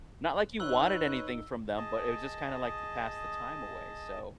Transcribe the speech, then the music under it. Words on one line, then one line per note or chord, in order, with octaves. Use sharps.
Not like you wanted anything from them, but it was just kinda like to pass the time away, so
D#4 B4 C#5 E6 F#6 G7
G#4 D#5 A5